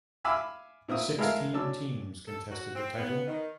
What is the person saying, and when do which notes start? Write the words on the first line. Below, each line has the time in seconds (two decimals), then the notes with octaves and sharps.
Sixteen teams contested the title.
0.24 E5 F5 G#5 B5 D6 E6
0.88 A#2 C4 E5 D#6
1.19 G#3 E4 A4 A#4 E5 F5
1.53 F#3 C#4 D4 A5 E6
2.27 A4
2.51 F#4
2.74 C4
2.98 B3
3.27 D#3